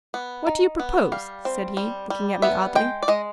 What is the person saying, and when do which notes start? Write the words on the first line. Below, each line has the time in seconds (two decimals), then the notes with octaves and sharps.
"What do you propose?" said he, looking at me oddly.
0.14 B3
0.47 D#4
0.80 B3
1.12 G3 F5
1.45 C4
1.77 G3
2.10 G3
2.42 B3 E5
2.75 G#3 G5
3.03 D5
3.08 G#3 D#5